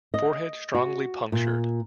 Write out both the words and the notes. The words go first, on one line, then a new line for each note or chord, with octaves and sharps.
Forehead strongly punctured.
D#5
F#4
A#2